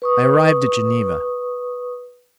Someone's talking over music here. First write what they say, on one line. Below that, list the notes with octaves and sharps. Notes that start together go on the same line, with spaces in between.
I arrived at Geneva.
B4 C#6 D#6